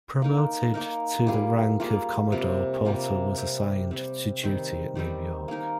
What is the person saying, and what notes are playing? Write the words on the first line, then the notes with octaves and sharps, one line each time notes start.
Promoted to the rank of commodore, Porter was assigned to duty at New York.
A#3 D#4 A#4
A#3 D#4 A#4
G3 A#3 F4 G#4
G3 A#3 F4 G#4
C3 G3 A#3 F4
C3 G3 A#3 F4
G3 C4 G4
G3 C4 G4
D#3 G3 C4 D#4
D#3 G3 C4 D#4
A#3 D#4 A#4